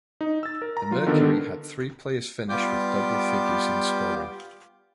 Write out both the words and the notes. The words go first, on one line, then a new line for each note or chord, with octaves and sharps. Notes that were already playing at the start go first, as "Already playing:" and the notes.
The Mercury had three players finish with double figures in scoring.
D#4
E6 A6
A#4
A#5
F#3 F4
D3 D#3 B3 D4 A4 A#4
G3 B3 F4 G4 D6 G6